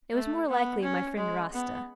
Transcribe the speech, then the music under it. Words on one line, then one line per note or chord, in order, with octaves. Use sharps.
It was more likely my friend Rasta.
A3
B3
C#4
G#3
B3